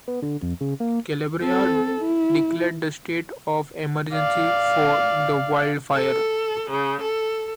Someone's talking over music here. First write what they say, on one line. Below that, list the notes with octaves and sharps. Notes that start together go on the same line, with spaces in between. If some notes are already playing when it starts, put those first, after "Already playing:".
Calabria declared the state of emergency for the wildfire.
B3
D3
F2
C#3
A#3
C4 A4
E4
D5 F5
A4
C#3
A4